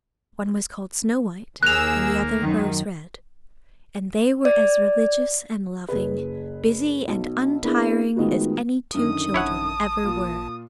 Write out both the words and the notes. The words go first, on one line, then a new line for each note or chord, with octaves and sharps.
One was called Snow-White, and the other Rose-Red; and they were as religious and loving, busy and untiring, as any two children ever were.
D#2 A#3 G#4 E6 F#6 F7
F#2 D#3
D5
F#1 G#4 B4
B1
A#3 B3 D4 E4 G#4
A2 D#3 G#3 B3 F4 F#4
F#2 D3 D#3 D#6
A1 E4 C#5 F#5 A5
A#2 F4